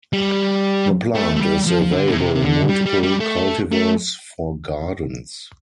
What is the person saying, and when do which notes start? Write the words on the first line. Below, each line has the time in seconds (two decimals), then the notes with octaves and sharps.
The plant is available in multiple cultivars for gardens.
0.13 G3
1.15 A3
1.36 A3
1.40 G3
1.67 F3
1.82 F3
1.92 D3
2.08 A2
2.18 C3
2.36 C3
2.43 D3
2.69 G3
2.86 G3
3.03 G3
3.20 A3
3.72 A3